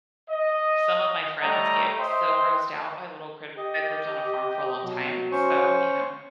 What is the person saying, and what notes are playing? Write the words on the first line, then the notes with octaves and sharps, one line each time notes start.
some of my friends get so grossed out by little critt I've lived on a farm for a long time, so you know?
D#5
G3 A3 C#5 D#5 G5 A#5
C5 D#5 E5 G5 C6
G4 D#5
B2 F#3
C#4 C5 C#6